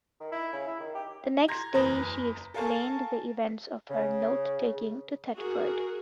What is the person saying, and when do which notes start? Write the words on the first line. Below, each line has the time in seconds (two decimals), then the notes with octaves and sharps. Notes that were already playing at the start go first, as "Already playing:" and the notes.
The next day, she explained the events of her "note taking" to Thetford.
0.20 D#3
0.32 E4
0.53 C#3
0.67 E4
0.80 D#3
0.95 G4
1.48 A#5 C6 G#6 A#6
1.74 F#1 E2 B4 A#5 D#6 A#6
2.54 A4 A#4 F5 G#5 A5 C#6
3.91 C#3
5.36 F#4 G#4 A#4